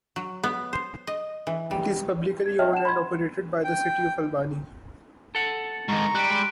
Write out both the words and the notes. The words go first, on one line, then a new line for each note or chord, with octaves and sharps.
It is publicly owned and operated by the City of Albany.
F#3
B3
C5
D#5
E3
G3
G#6
C#5 D#5 E5 G5 A5 F6
F#5 A5 E7
B5 C6 G#6
G5
A4 F#5
G#2 D#3 A#5 C#6
G3 F#6 D7
G#3